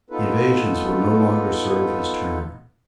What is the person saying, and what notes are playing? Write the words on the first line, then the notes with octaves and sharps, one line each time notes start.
Evasions would no longer serve his turn.
B3 D#4 F4 A4 B4